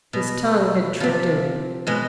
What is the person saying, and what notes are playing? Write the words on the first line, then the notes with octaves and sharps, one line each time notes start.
His tongue had tricked him.
B2
C3 F3
B2 G#3